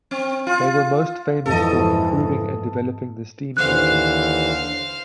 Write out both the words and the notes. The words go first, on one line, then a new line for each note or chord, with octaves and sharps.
They were most famous for improving and developing the steam engine.
C4
F4
F2 G#2 E3 A4 D#5
D#2 D3 E3 C5 F5 F#6